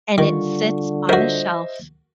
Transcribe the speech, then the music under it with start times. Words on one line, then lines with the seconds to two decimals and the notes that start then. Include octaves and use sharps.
and it sits on a shelf
0.18 D3 D#3 G3 F4 C#6
1.09 F#4 A#4 C5 D#5 E5